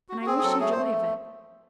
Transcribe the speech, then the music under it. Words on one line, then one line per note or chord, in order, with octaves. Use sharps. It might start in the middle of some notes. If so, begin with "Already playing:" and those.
And I wish you joy of it!
F#4
F#4
C4 G#4
G#4
F#3 A4
A3 G#4
C5
A3